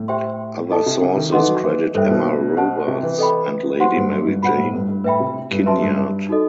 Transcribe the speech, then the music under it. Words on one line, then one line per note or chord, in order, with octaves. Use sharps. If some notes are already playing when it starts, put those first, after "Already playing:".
Other sources credit Emma Robarts and Lady Mary Jane Kinnaird.
Already playing: A2
G4 C5 E5 G5 C6
E4 A4 D#5 A5
C3
C3
D#3
E3 D#4 A4 D#5 F#5 C6
F#3
E3
G2 A4 C5 E5 G5
B2
G4 C5 D#5 F#5 A5
C3
E3
A4 D#5 G5 B5
F#3 G4 C5 F#5 C6
G2
F#2
G2
B2 C5 F#5 B5
G2
A2
G2
G2
A2 B4 E5 G5 B5
C3
G2
F#2 B4 E5 A5 C6
G2
D#4 F#4 A4 D#5